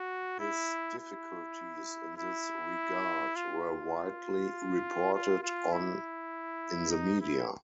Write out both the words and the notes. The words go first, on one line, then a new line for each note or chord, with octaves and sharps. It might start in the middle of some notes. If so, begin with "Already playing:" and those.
His difficulties in this regard were widely reported on in the media.
Already playing: F#4
E4
E4
E4
F4
F4
F4
E4
D#4
E4